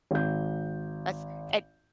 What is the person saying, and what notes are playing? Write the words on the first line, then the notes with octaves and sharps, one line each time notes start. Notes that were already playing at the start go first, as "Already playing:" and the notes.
that's eh
G#1 G6